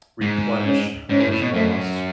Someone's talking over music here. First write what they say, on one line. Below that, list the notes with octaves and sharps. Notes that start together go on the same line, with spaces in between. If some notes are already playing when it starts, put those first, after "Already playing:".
replenish what is lost,
G#2
C#4
G#2 C#4
A2
A2
B2
F#2 A3